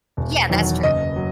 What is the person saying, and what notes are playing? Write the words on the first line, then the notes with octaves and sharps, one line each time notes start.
Yeah, that's true.
E1
E2 D#3 F#3
F#1 D#5
F#3